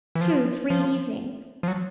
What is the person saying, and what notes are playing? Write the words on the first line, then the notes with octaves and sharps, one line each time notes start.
'Two--three evenings.
E3
F3
F3
F3
F#3